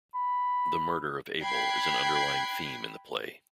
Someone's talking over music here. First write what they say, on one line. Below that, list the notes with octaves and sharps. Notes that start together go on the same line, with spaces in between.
The murder of Abel is an underlying theme in the play.
B5
G5 B5 F#6 G#6 C7